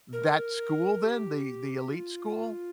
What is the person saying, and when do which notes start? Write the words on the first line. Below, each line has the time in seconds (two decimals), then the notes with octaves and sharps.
that school then, the the elite school?
0.13 A#4
1.03 G4
1.93 F4